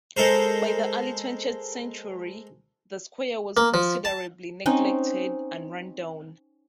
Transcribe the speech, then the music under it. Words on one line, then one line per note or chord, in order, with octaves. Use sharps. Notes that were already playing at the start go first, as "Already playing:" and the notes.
By the early twentieth century the square was considerably neglected and rundown.
G#3 A4 A#4 C5
A#3
F3
A5
C4 C#4 D#4